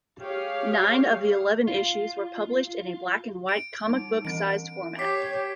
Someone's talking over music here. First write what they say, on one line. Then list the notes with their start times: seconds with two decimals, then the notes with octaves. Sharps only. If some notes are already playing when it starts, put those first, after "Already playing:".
Nine of the eleven issues were published in a black-and-white comic book-sized format.
0.20 G4 G#4 C#5 F5
1.68 F4
3.49 D7
3.87 G3 D#4
4.25 E3 C4 D7
4.99 G4 C#5 D6 B6 C7